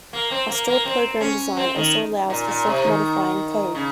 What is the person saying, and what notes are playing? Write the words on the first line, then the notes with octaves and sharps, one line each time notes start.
A stored-program design also allows for self-modifying code.
A#3
C4
A#3
A#3
C4
C#4
C4
D#3
A#2
A#2
C3
D#3
C#3